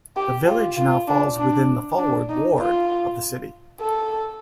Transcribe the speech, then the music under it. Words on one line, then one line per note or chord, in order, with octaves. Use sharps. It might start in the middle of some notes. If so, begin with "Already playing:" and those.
The village now falls within the Fulwood ward of the City.
G4
F4
F4
D4
D4
D4
D#4
F4
A4